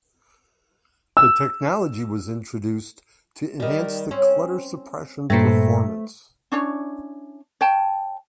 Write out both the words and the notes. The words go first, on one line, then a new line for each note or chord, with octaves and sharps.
The technology was introduced to enhance the clutter suppression performance.
E6
D#3 G3
C4 C#4
G2 A#2 A3 B4 C5
C#4 D4 E4 C#5
C#5 G5 A5